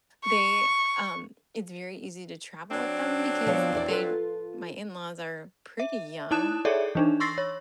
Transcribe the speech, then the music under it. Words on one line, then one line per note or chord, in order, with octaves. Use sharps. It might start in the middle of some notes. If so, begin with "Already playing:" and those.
they um, it's very easy to travel with them because they my in-laws are pretty young.
C#6
F#3 C4 D4
F3 B3 C#5
E2 E4 D5
F4 A4 B4
E5
D#4 E4 A5 D#6 F#6 E7
G#4 A4 C#5 D5 E5
E3 D4 D#4
C6 C#6 E6 A6 A#6 C7
C#5